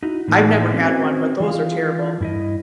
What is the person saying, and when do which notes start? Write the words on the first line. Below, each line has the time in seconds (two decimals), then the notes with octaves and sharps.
I've never had one, but those are terrible.
0.03 D#4 E4 F#4
0.28 A2 E3 A#3 D#4
0.74 C4 C#4 F#4 B4 C5 D#5
1.40 E3 F4 F5
2.21 G2 E4 D#5